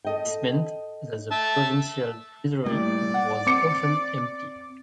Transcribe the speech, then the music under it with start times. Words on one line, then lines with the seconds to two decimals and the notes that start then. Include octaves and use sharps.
This meant that the provincial treasury was often empty.
0.05 A4 D#5 G5
1.32 E5 A5
2.66 A2 G3 A#3 D5
3.14 F#5
3.47 C4 D6 C#7